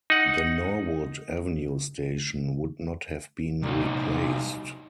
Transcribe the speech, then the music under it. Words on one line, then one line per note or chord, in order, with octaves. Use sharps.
The Norwood Avenue station would not have been replaced.
D#4 F#5
C2 D#4